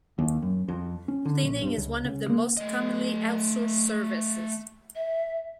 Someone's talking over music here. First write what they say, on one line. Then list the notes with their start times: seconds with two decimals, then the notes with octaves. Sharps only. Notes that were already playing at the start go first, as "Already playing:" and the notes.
Cleaning is one of the most commonly outsourced services.
0.18 D#2
0.42 F#2
0.68 F2
1.08 C#4
1.25 D3
1.43 A#1
1.62 G2
1.77 C#2
2.05 C#3
2.29 A#3
2.57 A3 D#5
4.95 E5